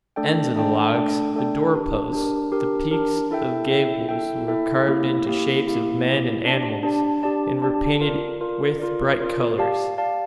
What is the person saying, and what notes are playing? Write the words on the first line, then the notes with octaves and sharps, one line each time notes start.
The ends of the logs, the door-posts, the peaks of gables, were carved into shapes of men and animals and were painted with bright colors.
A3 D4 A4 D5 G5
A3 D4 A4 D5 G5
A3 D4 A4 D5 G5
A3 D4 A4 D5 G5
D4 G4 A#4
D4 G4 A#4
D4 G4 A#4
D4 G4 A#4
E4 A4 E5 G5
E4 A4 E5 G5
E4 A4 E5 G5
E4 A4 E5 G5
A#3 E4 G4
A#3 E4 G4
A#3 E4 G4
A#3 E4 G4
D4 G4 D5 A5
D4 G4 D5 A5
D4 G4 D5 A5
D4 G4 D5 A5
F4 A#4 D5
F4 A#4 D5
F4 A#4 D5
F4 A#4 D5
G4 D5 F5 A5
G4 D5 F5 A5